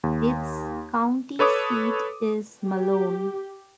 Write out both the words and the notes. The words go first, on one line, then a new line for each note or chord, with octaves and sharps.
Its county seat is Malone.
D#2
A4 B4 C#5 D6 D#6
G4